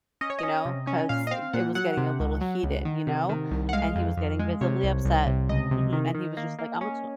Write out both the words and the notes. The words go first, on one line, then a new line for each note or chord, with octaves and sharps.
you know, 'cause it it was getting a little heated, you know, and he was getting visibly upset mhm, and he was just ,like, "Imma ta"
C#4 D#5
C#5
C#4 D#5
C3
C#4
A#2 F5
D#5
C4 F5
A#2 F#5
F#3 F#5
C3
C#2
F#3
C#2
D#3
C3
D#3
C2
F#5
G#3 F5
F2
F2
G#3
C3 C#5
C2
C2
C3
C#2 D#5
C3
D#3
D#3
A#3
A#3
C#4